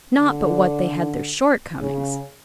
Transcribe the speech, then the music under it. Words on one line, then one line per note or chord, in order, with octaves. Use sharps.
Not but what they had their shortcomings.
D3
C#3